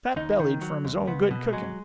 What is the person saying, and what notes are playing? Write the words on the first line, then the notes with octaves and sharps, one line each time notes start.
Fat-bellied from his own good cooking.
D#2 D#4
D#3
F#3
D#2
C#2 B3
B2
F#3 G#3